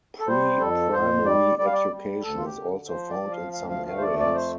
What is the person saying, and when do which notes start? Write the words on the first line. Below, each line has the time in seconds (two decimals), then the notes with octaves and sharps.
Pre-Primary Education is also found in some areas.
0.20 A4
0.27 G3 C5
0.60 F2 A4
0.93 F2 C5
1.25 G3 D5
1.58 G3 D5
1.66 F5
1.73 D5
1.91 G3
2.23 D2 A4
2.38 F4
2.45 G4
2.56 D3
2.88 F3 C5
3.10 D5
3.21 F3
3.31 F5
3.53 D2 F5
3.70 F5
3.86 A3 F5
3.97 C5
4.02 D5
4.19 F2 D5
4.35 C5